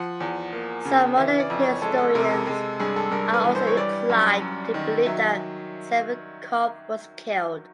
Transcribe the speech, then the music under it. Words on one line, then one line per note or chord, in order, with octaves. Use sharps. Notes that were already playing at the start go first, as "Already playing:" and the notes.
Some modern historians are also inclined to believe that Savinkov was killed.
Already playing: F3 F#5
E2
A#3
C#3
E3 E5
D5
F2
C#5
G#3 A4
A4
C3 A#4
A4
G#3 A4
G2 G#4
A4
G2 A#4
B4
E3
C5
C#5
G3 D5
F#2
F#2
D#3
F#3 E5